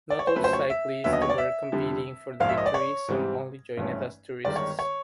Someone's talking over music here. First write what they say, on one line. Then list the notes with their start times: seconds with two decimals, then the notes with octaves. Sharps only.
Not all cyclists were competing for the victory; some only joined as tourists.
0.10 D5
0.19 C#5
0.27 C5
0.36 F2 C#3 F#3 A3 C4 B4
0.44 C5
0.53 C#5
0.70 E5
1.04 D#2 D3 F#3 B3 E5
1.13 D#5
1.22 C#5
1.30 D5
1.38 E5
1.72 F2 D3 G3
2.40 A#1 G#2 F3 A#3 F5
2.49 E5
2.58 D#5
2.66 D5
2.74 C#5
3.08 G#2 E3 G3 C4
3.77 G#1 G2 E3 A3 C#4
4.45 G1 G2 D#3 G#3 D5
4.56 C#5
4.79 C#5